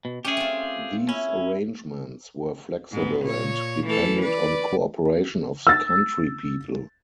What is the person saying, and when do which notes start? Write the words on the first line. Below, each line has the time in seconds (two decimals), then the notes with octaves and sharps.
These arrangements were flexible and depended on cooperation of the country people.
0.05 B2
0.25 A3 C#4 G4 G#4
0.37 C4 F4
1.09 C#4 E4
2.91 G#2 B3
3.21 A#2 C#5
3.85 E3 A3 A4
4.22 B4 D5
5.67 E6 A6